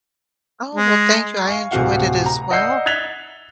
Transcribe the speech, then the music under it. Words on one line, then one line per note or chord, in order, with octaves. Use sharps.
Oh, well, thank you. I enjoyed it as well,
G#3
F5 G#5 C#6
D1 C3 F#4 F5 F#5
A#5
D5 D#5 F#5 E6 G6 C7
F#6 G#6 A6 B6 F7 G7